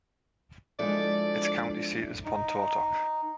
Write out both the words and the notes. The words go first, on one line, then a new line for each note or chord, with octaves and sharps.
Its county seat is Pontotoc.
F3 G#3 D4 E4 A4 D5
D#4